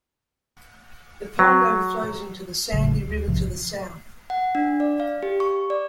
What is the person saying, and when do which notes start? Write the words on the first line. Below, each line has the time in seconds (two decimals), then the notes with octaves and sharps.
The pond overflows into the Sandy River to the south.
1.39 F#3
2.72 G#1 A2 C#3 F#3
3.07 D2
3.27 A#1 G#2 C3 F3
4.30 F#5
4.55 D4
4.80 D5
5.00 F5
5.23 G4
5.40 C#6
5.70 D5